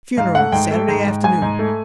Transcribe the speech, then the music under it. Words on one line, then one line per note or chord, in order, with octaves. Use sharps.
Funeral Saturday afternoon.
G#2 F5
A3 F#5
G#2 G5
A3
G#2
G#2
G#2 G#5
G#2
A3